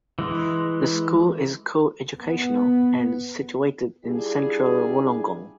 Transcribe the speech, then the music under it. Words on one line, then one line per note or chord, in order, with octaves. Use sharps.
The school is co-educational, and situated in central Wollongong.
E3 G#3
B3
G3 D4 E4 F4 G4 G#4